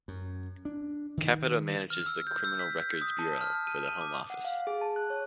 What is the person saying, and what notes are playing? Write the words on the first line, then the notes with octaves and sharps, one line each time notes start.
Capita manages the Criminal Records Bureau for the Home Office.
F#2
D4
D#3
F6
E6
G6
E6
B6
G6
D#6
A5
F6
D#7
D#7
D6
F#5
F5
G#4
A5
F#6
C#5